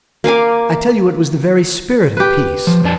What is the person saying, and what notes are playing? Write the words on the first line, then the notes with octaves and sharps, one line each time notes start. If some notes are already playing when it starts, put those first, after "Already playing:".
I tell you it was the very spirit of peace.
A#3 F5 G#5 D6
G4 B4
F3
F2 D4 A5